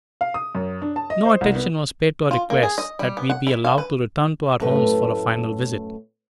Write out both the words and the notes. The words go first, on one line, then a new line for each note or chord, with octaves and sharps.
No attention was paid to our requests that we be allowed to return to our homes for a final visit.
F5
D#6
F#2
D4
A5
D#5
C5
C2
B3
F4
A#3
G#4
D#5
G3
B3
F#5
E4
F5
B4
F#2 A2 A3 B4